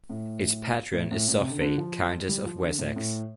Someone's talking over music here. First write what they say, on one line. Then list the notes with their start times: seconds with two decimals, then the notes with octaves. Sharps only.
Its patron is Sophie, Countess of Wessex.
0.09 A2
0.93 A2
1.11 A2
1.28 A2
1.39 C3
1.50 D3
1.61 D3
1.78 F3
2.29 G3
2.46 F3
2.62 D3
2.79 A2
2.96 A2